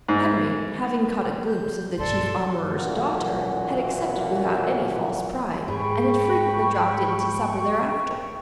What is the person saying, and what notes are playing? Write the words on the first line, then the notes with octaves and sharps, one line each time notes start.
Henry, having caught a glimpse of the Chief Armourer's daughter, had accepted without any false pride, and had frequently dropped in to supper thereafter.
G#2
G6
G2 B2 A4 D5 C6
B1 F#2 A#2 E3 C#4 F#4
G#2 G#4 G5 B5 C#6